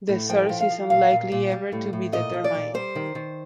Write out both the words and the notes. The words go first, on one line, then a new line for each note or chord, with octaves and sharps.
The source is unlikely ever to be determined.
A2
F3 G5
F3
F5
F3
A#2 F5
A#2
A#2
G3
A2
A2
A#2 D#5
F3
D5
A#2
G3 C5
D#3
D#3